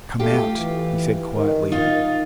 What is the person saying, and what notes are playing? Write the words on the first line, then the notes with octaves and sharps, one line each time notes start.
"Come out," he said quietly.
A3 F4 G4
E3
D#3
D#3 D#4 F4